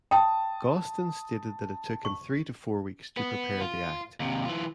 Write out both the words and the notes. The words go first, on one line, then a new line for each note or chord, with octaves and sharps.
Gostin stated that it took him three to four weeks to prepare the act.
G5 A5 D#6
C#6
B3
F4
D#2 C3
E3 F4